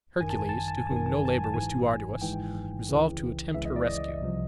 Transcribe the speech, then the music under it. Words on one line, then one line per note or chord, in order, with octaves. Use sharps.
Hercules, to whom no labor was too arduous, resolved to attempt her rescue.
G#1 F#2 D#3 G#5
A5
G#5
A5
G#5
A5
G#5
G#1 F#2 D#3 A5
G#5
A5
G#5
A5
G#5
A5
G#1 G#2 E3 G#5
G#1 G#2 E3 G5
C#2 C#3 E3
C#2 C#3 E3 E5
D#5
D5
D#5
C2 C3 F3